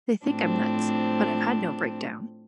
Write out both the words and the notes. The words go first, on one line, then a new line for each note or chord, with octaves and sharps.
They think I'm nuts, but I've had no breakdown.
A2 F3 C4 D4